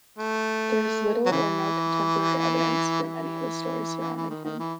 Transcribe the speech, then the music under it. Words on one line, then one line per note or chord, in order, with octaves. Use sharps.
There is little or no contemporary evidence for many of the stories surrounding him.
A3
F#3
C#3 E3
E3
E3
D#3
D#3
E3